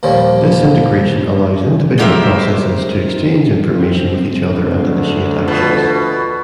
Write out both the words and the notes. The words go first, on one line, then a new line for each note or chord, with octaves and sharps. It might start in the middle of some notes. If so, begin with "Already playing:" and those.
This integration allows individual processes to exchange information with each other and initiate actions.
D#2 A#2 F3 G3
G#3 D#4 G4 A#4 C5 E5
C4
D2
B2 F4 A4